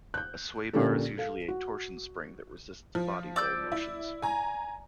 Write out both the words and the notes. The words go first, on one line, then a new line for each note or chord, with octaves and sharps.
A sway bar is usually a torsion spring that resists body roll motions.
F#6 G6
A#2 D3 A#3 C#4 G4 A4
A4 F5
F#4
F3
D5 E6 G6
E4
G#5 A#5